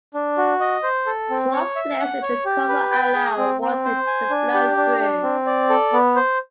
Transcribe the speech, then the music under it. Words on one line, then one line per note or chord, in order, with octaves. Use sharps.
Small slits in the cover allow water to flow through.
D4
F#4
D#5
C5
A4
C4
C#5
E5
F#5
C#5
G4
B4
G5
G#4
C4
C4
C5
G#5
D4
G4
D4
D4
C4
D5
A4
B3
C5